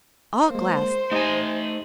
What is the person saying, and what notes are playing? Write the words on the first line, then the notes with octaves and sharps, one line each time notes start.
"All glass."
G#3 A#3 C5
A3 D#4 G4 D#5 G#5